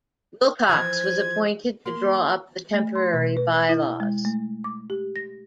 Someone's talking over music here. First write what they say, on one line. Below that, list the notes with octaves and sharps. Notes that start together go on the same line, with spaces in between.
Wilcox was appointed to draw up the temporary by-laws.
E3 F3 G#6
A#3 C6
A3
C6
B2
B4
E4
G#3
A3
D6
G4
A#6